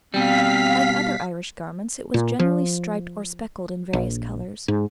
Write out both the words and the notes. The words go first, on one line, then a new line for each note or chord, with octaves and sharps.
Like other Irish garments it was generally striped or speckled in various colours.
B2 G3 C4 F5 B6
A#2
F3
A#1
G#2